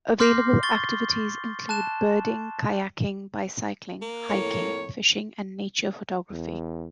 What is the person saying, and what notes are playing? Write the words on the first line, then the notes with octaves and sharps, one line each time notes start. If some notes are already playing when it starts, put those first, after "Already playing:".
Available activities include birding, kayaking, bicycling, hiking, fishing and nature photography.
C6 D6 F6 G6 A#6 C7
C#6 A6 G7
A5 F#6 E7
A#3
F2 A2 C#5
E2